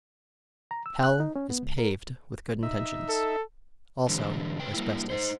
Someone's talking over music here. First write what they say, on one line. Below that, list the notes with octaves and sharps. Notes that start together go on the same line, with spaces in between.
Hell is paved with good intentions--also asbestos.
A#5
E6
F#6
D#4
C#4
B3
C#2
A#4
D#4 E5
A4
G#2 D3 E3 G3
C#3 B4 G5
G3 A#3 E4
D#4 C5